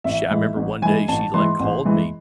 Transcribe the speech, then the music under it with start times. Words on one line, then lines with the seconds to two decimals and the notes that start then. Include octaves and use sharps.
sh I remember one day she like called me
0.04 A1 E5
0.31 G#2 E3
0.56 A1
0.82 G#2 E3 G#5
1.08 A1 A5
1.34 G#2 E3 C6
1.60 A1
1.85 G#2 E3